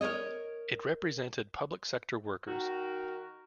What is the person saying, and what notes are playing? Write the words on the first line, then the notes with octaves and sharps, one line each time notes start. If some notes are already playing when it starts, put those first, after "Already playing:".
It represented public sector workers.
A#4 B4 C#5 D#5
D#3 F#4 A#4